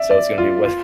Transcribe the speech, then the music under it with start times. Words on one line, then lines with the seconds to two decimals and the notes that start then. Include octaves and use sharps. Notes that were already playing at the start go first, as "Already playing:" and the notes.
so it's gonna be wha
Already playing: D5 E5
0.10 D5
0.38 F4
0.65 F4